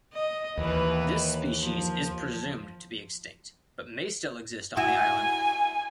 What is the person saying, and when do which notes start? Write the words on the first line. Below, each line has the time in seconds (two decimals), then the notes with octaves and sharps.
This species is presumed to be extinct, but may still exist on the island.
0.13 D#5
0.58 D#2 E3 B4
1.59 F3
4.77 E4 F#4 G#5